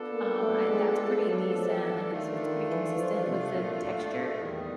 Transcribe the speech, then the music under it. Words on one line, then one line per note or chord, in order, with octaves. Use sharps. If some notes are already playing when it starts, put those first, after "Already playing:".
um, I that's pretty decent, like, it's it's pretty consistent with the texture,
Already playing: B3 D4 F4 A4
A#3
A3
G#3
G#3
F#3
F3
E3
D#3 A3 D4 F4
D#3
E3
F3
C3
A#2
A2
A#2
E2 D#3 G3 B3